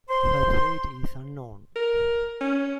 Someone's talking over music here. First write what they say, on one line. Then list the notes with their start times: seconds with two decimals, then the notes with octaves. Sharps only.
Her fate is unknown.
0.09 C5 C6
1.76 A#4
2.41 C#4